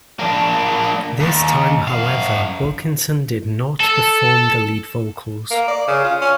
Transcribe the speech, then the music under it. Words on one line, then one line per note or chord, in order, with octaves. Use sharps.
This time, however, Wilkinson did not perform the lead vocals.
A#3 D4
D#2
F#2 F5
A4
A#3
D5
C#3
F4
C#4